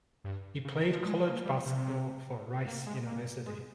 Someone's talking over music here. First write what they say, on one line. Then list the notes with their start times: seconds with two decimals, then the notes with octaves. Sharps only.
He played college basketball for Rice University.
0.24 G2
0.65 C#3
0.78 D#3
0.92 F3
1.05 G#3
1.26 A#3
1.45 G3
1.66 C3
2.67 A#3
2.86 G#3
3.06 A#3
3.46 G#3